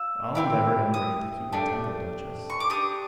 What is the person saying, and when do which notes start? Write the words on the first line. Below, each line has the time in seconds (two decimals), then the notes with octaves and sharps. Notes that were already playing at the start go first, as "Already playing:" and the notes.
"I'll endeavour at any rate to keep my temper, Duchess."
Already playing: F4 E6
0.35 C4 E4 G4
0.94 D#6
1.52 A3 D4 G4
2.50 C#6
2.60 D6
2.70 D4 G4 D#6